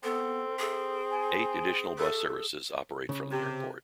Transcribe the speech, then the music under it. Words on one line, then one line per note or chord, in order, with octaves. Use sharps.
Eight additional bus services operate from the airport.
B3 C4 A4
G#4 A4
G#5
A4
C#3
C3 G4